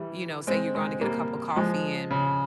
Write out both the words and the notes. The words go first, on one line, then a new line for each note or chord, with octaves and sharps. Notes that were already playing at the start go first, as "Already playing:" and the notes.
You know, say you're going to get a cup of coffee, and
Already playing: E3 G3
G#3 C4
G#3 C4
G3 A#3
F3 G#3
C#3